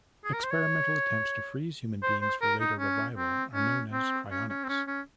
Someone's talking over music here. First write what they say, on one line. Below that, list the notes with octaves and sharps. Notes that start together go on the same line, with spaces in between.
Experimental attempts to freeze human beings for later revival are known as cryonics.
G#4
A#4
C5
C#5
C5
C5
A#4
D#4
C#4
C4
C#4
C4
C#4
C#4
C4
C#4
C#4